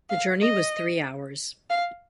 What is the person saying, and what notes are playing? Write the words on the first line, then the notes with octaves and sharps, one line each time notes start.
The journey was three hours.
F5
D#5
F5